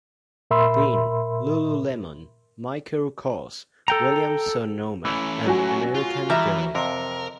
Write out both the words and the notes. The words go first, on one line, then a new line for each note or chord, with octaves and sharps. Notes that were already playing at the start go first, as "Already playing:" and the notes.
Bean, lululemon, Michael Kors, Williams-Sonoma, and American Girl.
A#2 A#4 E5 B5 C6 E6
A4 G5 A#5
E3 A3 C#4
F#3 F#4 G#5
F4
E3 G3 G#3 E5 A#5
F2 C3 A#4